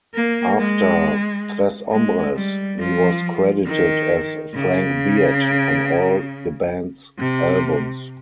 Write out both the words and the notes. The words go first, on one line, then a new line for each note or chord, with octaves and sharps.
After "Tres Hombres", he was credited as "Frank Beard" on all the band's albums.
A#3
G#3
G#3
G3
F3
D#3
C#3
C3